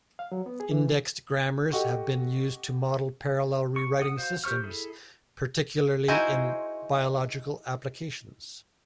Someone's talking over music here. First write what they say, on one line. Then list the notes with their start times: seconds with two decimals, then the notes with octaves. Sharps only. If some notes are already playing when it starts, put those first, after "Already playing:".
Indexed grammars have been used to model parallel rewriting systems, particularly in biological applications.
0.19 F5
0.32 F#3
0.46 B3
0.60 G#4
0.71 E3
1.72 G4 A4 D#5 F#5 C#6
3.76 C#6
3.99 F#5 D#6
4.17 F#4 C5 F5
4.44 G4 C5 C#6 F6
4.63 E4 G#4 A4
6.08 D#4 E4 F#4 G#4 C5